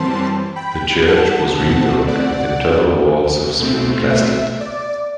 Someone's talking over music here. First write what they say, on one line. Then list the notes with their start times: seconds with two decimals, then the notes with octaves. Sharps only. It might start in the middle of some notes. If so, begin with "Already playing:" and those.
The church was rebuilt with internal walls of smooth plastered.
Already playing: F#2 E3 G3 C4 A5 C6
0.56 G5 B5
1.07 F#5 A5
1.57 B2 A3 C4 F#5 A5
2.08 D5 F#5
3.59 B2 A3 C4
4.10 E5
4.61 D5